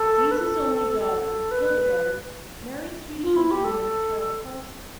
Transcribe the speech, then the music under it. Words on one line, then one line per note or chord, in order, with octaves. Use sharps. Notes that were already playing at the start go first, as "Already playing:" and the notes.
Ziese's only daughter, Hildegard, married Swedish Engineer Carl Carlson.
Already playing: A4
B4
A4
B4
F4
E4
G4
A4